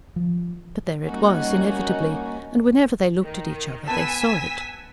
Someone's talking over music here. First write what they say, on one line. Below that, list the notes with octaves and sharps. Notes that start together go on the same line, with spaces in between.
But there it was, inevitably, and whenever they looked at each other they saw it.
F3
G3 A#3 C#4 D#4 F#4
D#3
B3 G#5 A5 E6 B6